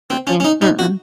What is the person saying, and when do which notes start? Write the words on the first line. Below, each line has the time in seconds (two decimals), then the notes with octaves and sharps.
Mm-mm, mm-mm.
0.10 C4
0.27 C#4
0.40 C#4
0.45 D#4
0.62 D#4
0.79 F#4